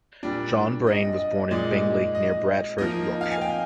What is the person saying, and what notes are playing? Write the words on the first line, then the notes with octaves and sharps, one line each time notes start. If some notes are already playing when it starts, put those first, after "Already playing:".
John Braine was born in Bingley, near Bradford, Yorkshire.
A#2 G3 D4
D#5
D#5
A#2 G#3 D#4 D5
D#5
F3 A#3 D#4 D#5
F5
G#5
G5